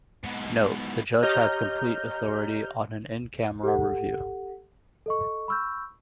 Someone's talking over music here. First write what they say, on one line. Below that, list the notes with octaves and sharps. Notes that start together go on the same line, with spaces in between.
Note: The judge has complete authority on an in-camera review.
G#2 B2
G4 C#5 D#5 A#5 F6 G6
G4 A4 F#5
A4 D#5 C#6
B5 C#6 E6 F6 G6